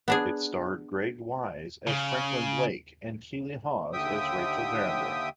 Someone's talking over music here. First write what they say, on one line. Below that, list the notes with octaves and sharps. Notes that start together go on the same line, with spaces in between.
It starred Greg Wise as Franklin Blake and Keeley Hawes as Rachel Verinder.
B3 D4 G#4
C#3
D#2 D3 E5 G5 D#6